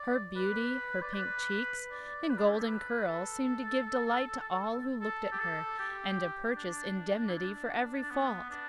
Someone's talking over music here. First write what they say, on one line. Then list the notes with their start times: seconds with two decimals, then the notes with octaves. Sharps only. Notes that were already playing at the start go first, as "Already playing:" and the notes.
Her beauty, her pink cheeks and golden curls, seemed to give delight to all who looked at her, and to purchase indemnity for every fault.
Already playing: D5
0.36 B4
1.02 D5
1.14 B4
1.92 D5
2.30 B4
2.38 D4
2.46 E4
2.53 G4
2.61 A4
2.69 B4
3.08 A4
5.01 A4
5.32 G4
5.40 A4
5.79 G4
6.56 D4
7.29 E4
7.34 D4
8.02 D4
8.11 B3
8.50 D4